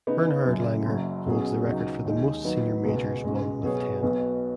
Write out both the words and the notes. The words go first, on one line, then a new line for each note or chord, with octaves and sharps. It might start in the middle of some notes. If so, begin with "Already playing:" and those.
Bernhard Langer holds the record for the most senior majors won with ten.
C#3 B3 D#4
F#1 F#2 C#3
F#1 F#2 F#3
B1 B2 F#3 C#4 G#4
C#2 C#3 F#3 D#4
D#2 D#3 G#3 D#4
D#3 F#3 B3 D#4
C#2 B2 G#3 B3
C#2 B2 G#3 C#4 F#4
B1 B2 B3 G#4 C#5
B1 B2 B3